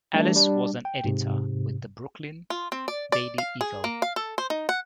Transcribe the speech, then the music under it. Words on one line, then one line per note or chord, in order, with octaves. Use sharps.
Alice was an editor with the "Brooklyn Daily Eagle".
E3 G3 A3 D4
G3 D4
G5
G#2 C3
F4
C4
D5
D5
F5
G#4
A#3
F5
A4
C5
D#4
F#5